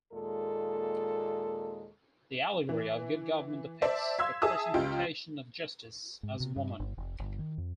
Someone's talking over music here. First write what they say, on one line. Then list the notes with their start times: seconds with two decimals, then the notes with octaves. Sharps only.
The Allegory of Good Government depicts the personification of Justice as a woman.
0.11 D#2 A#2 G#3 A4
2.69 E3
3.82 C5 D5 E5 A5
4.19 F5 C6 E6 G#6 B6
4.42 G#4 E5 G#5 A5 D#6 E6
4.74 C#2 F4 G4 D#5 G5
6.23 G#2
6.40 C3
6.56 G2
6.80 G1
6.97 F1
7.19 G1
7.39 D#3
7.58 F2